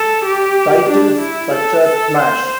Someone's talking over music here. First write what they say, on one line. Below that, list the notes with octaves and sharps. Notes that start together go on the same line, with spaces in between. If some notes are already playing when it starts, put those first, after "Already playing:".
Titles such as Smash!
Already playing: A4
G4
D4
E4
A4
A4
C5